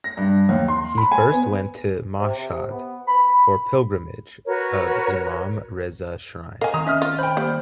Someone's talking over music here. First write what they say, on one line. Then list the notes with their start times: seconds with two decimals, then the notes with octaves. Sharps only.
He first went to Mashhad for pilgrimage of Imam Reza Shrine.
0.04 A#6
0.17 G2
0.49 D#2
0.68 C6
0.98 B5
1.12 G#5
1.32 B3
2.20 C3
2.37 C3
2.71 B3
3.08 B5
4.47 F#4 A#4 B4 C#5
6.61 A#4 D#5 F5 G#5
6.74 D#3 C4 A#5 D#6
6.87 C#4 D#5 E5 F6
7.02 F4
7.19 C5 G5 B5
7.37 G3 A#3 C5